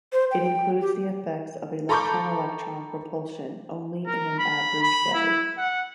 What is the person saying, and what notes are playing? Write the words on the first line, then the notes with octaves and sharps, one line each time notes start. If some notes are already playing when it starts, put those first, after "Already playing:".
It includes the effects of electron-electron repulsion only in an average way.
C5
G5
G4
A4 A#5 B5 C#6 D6 G6
A#4
B5
B5
E4
F#5